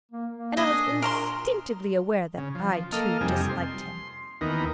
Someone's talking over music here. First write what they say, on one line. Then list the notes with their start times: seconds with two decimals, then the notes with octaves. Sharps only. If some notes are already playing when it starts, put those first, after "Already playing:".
And I was instinctively aware that I too disliked him.
0.12 A#3
0.31 A#3
0.57 D4 G#4 D#5
0.87 A#2
1.02 A#4 A#5 C6
2.38 C#3
2.55 F3
2.92 A#3 A4 D#5 F5 F6
3.21 F2 C3 G3 D#4 G#5
3.49 C6
4.41 D#2 E3 B3 D#4 A#4